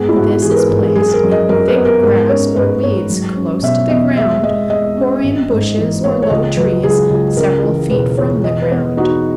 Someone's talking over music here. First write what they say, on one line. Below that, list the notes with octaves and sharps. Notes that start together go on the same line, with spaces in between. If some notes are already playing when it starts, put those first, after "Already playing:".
This is placed in thick grass or weeds close to the ground or in bushes or low trees several feet from the ground.
Already playing: G#2 B3 G#4
E4
G#2 F#4
F#4
E3 G#4
A#4
B4
G#2 A#4
G#4
F#2 G#4
A#4
F#2
D#5
F#2 A#4
B4
B3
A#4
G#2 A#4
C#4 C#5
G#2 B4
G#2 C#5
F#3
C#4
B2 E5
E2 D#5
G#3 E5
G#3 D#5
G#3 D#5
C#4
G#1
G#2
E3
A#3 C#5
C#5
C#2 D#5
F#3 B4
C#2 G#4
C#2
C#3 A#4
E3
E1 B4
E3 C#5
E3 D#5
B4
B3
D#4 F#4